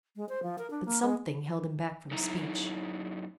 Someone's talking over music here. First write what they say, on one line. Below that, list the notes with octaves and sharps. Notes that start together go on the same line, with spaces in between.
But something held him back from speech.
G#3
C5
F3
A#4
D4
A#3
G#3
F#2 D#4 E4 A#5